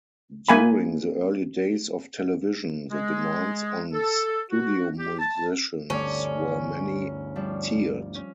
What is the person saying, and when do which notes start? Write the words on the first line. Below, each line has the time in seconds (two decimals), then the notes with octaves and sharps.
During the early days of television, the demands on studio musicians were many-tiered.
0.49 A#3 G#5 B5
2.90 G#3
3.93 A4
4.51 F#4
4.98 G4
5.19 A5
5.90 G1 D2 C4 C#4 A4 D5
7.36 F3 G3 D4
8.15 C#4